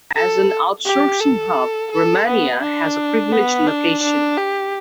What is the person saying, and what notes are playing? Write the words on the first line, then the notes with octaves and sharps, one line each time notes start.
As an outsourcing hub Romania has a privileged location.
A4
G4
A4
A4
B3
D4
B3
D4
D4
G4